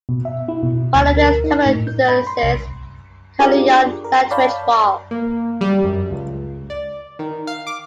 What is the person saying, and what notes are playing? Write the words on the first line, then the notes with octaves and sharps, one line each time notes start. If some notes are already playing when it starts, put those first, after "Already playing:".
Part of this terminal utilises Cairnryan Lighterage Wharf.
B2
E5
E4
B2
D2
A#4
D#4
A2
G6
B5
C6
C2
D4 F4 G4 G#4 A#4 D5
A#4
C#5 D5 F5 A5 B5 G6
A#3
G3
F#2
C#2
D5
D#3
F5
D6